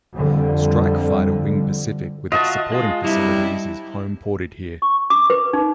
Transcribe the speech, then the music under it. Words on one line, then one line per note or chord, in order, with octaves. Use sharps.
Strike Fighter Wing Pacific with its supporting facilities is home ported here.
F2 D3 G3
F4 F#4 D#5 E5 A5
G#3 F4
G2 C3 G3 E4
C#6
D6
B4
D#4